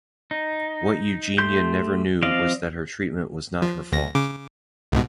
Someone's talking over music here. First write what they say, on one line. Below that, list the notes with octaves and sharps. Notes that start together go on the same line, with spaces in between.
What Eugenia never knew was that her treatment was not her fault.
D#4
A3 G4 C6 G6
F3 C4 D5 D#5 F5
F3
D2 A#6
C#3 D6
C2 G#2 B2